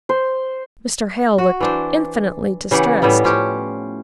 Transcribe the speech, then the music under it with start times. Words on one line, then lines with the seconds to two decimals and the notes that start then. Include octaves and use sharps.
Mr. Hale looked infinitely distressed.
0.09 C5
1.38 F#4
1.61 E3 D4 C5
2.71 C#3 E3 G4 F#5
3.02 A2 E3 G3 B3
3.24 F3 C#4 G4